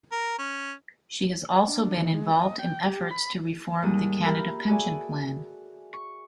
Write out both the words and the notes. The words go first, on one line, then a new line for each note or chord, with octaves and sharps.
She has also been involved in efforts to reform the Canada Pension Plan.
A#4
C#4
D4
D#3
G#3
D#5
G5
G4
B5
D#2 G#2 G3 A4 D#6
F4 G4 A#4 E5 A#5 B5
F#4 G#4 A4 D5 E5 G#5
C#6